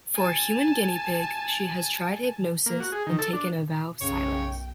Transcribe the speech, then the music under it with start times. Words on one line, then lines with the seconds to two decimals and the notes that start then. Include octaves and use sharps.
For "Human Guinea Pig", she has tried hypnosis, and taken a vow of silence.
0.15 G#5 A5
2.66 A#3
2.80 F#4
2.92 G#4
3.07 D#3
3.19 A4
3.33 D4
4.01 B1 F#2 C#3 C#5 G5